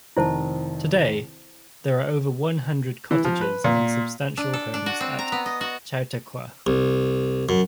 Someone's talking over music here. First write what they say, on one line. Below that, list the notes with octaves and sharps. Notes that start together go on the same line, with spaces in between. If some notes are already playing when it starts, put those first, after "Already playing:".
Today, there are over one hundred cottages and substantial homes at Chautauqua.
F1 C3 D#3 E4 C5 A5
E3
F3
B4
A#2
D4
A4
D4
F#4
C4
A#5
B3
D#5
F#4
C2
F#2